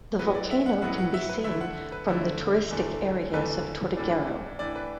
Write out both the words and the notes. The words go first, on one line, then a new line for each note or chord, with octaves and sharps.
The volcano can be seen from the touristic areas of Tortuguero.
A2 F#3 B3 B4
D5
E5
F#5
A2 F#3 B3 F#5
F#5
E5
B4
D3 A3 E4 E5
F#5
B4
D3 A3 E4
E2 D3 A3
E2 D3 A3 B4
A2 E3 D4
A2 E3 D4 D5
B4